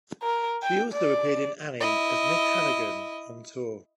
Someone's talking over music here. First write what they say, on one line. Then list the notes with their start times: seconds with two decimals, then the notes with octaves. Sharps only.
She also appeared in "Annie" as Miss Hannigan on tour.
0.22 A#4
0.63 G5
0.93 D5
1.80 E4 D#5